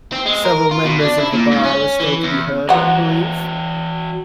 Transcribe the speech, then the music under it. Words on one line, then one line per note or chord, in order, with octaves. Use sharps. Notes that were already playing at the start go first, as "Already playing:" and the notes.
Several members of the bar are still to be heard, I believe?
C4
G#3
A#4
F4
B2
D4
E4
A#2
G#2
C#4
E3
E2
E3 F3 F#4 F#5 A#5